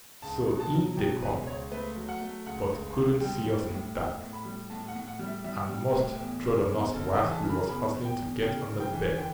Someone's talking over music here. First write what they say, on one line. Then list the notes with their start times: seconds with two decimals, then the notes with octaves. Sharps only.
So in they come, but couldn't see us in the dark, and most trod on us whilst we was hustling to get under the bed.
0.22 C#2 A5
0.47 B2
0.60 A5
0.72 F#3
0.97 B2 G5
1.22 C#2 B4
1.47 C#2 C#5
1.72 A3 B4
1.96 F#3
2.09 F#5
2.21 A3
2.46 C#2 F#5
2.72 C#2
2.96 C#2
3.21 G3 G5
3.45 G3
3.70 A2
3.95 A2 G5
4.21 A2
4.33 B5
4.45 G3
4.70 A2 A5
4.88 F#5
4.95 A2
5.08 F#5
5.19 G3
5.26 E5
5.44 G3 E5
5.69 G3 G4
5.94 A2 G4
6.19 E2
6.44 C#3
6.68 E2
6.94 C#3 A4
7.13 G5
7.19 E3
7.31 A5
7.43 C#3
7.50 B5
7.68 E2 B5
7.93 E2
8.05 G5
8.19 E2
8.42 C#3 G5
8.67 C#3
8.80 G5
8.92 E3
9.17 D3 G5